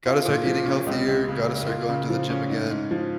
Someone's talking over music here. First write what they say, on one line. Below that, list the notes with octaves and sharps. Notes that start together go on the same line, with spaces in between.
gotta start eating healthier, gotta start going to the gym again.
F4
A#2
F3
C#4
C#2
C#2
C#3
A#3
F4
C#3
F3
C#4
G#2
G#2
F3